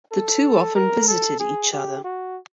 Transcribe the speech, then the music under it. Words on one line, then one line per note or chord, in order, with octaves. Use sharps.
The two often visited each other.
A4
A#4
A4
G#4
G4
F#4